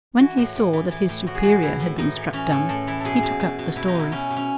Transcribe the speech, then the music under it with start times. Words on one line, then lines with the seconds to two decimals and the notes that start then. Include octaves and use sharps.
When he saw that his superior had been struck dumb, he took up the story.
0.20 E3 F#4
0.38 A2
0.55 A2
0.73 E3
0.91 E3 E4
1.09 A2
1.27 A2 F#4
1.35 G#4
1.43 E3 F#4
1.62 E3 E4
1.80 A2
1.98 A2 D#4
2.16 E3
2.33 E3 C#4
2.51 A2 A4
2.69 A2 A4
2.87 E3 E4
3.01 B2 G#4 A4
3.23 B2
3.40 B2
3.59 B2
3.76 B2 E4
3.88 D#4
3.95 B2 E4
4.12 B2 C#4
4.30 B2
4.36 C#4